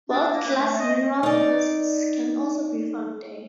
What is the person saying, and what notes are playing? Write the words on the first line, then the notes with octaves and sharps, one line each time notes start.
World-class mineral deposits can also be found there.
D4
A#3
B4
A3
D#5
D#4 D5